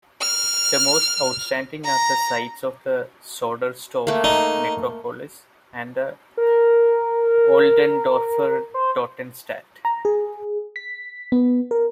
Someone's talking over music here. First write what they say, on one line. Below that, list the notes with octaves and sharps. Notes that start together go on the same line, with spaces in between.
The most outstanding are the sites of the Soderstorf Necropolis and the Oldendorfer Totenstatt.
F6
A#5
A3 A#3
D#4
A#4
C5
A#5
G#4
B6
B3
A#4